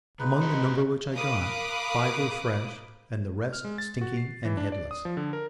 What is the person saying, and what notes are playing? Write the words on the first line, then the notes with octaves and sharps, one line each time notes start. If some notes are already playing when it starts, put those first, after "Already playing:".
"Among the number which I got, five were fresh and the rest stinking and headless."
C#3 G#3 D#4 B4
F#4 G4 D#5
A#4 F5 B5 D6 D#6 F#6
F6
G#3
A6
F#4
C7
E3
D4
D5
D#6
F3
D3
A#4